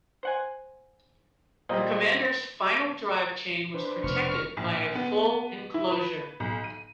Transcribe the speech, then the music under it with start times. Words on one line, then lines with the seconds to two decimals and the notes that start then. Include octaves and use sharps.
The Commander's final-drive chain was protected by a full enclosure.
0.23 C5 F#5 G#5
1.69 A#2 G3 A#3 C4 D#5
3.74 D4 B4 C5
4.03 F1 B2 C#6 F6
4.57 A#1
4.95 B3
5.74 E4
5.91 B4
6.40 B1
6.64 D#7